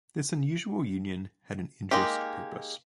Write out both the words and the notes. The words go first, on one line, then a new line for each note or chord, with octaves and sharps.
This unusual union had an interest purpose.
G#3 A#3 D#4 G4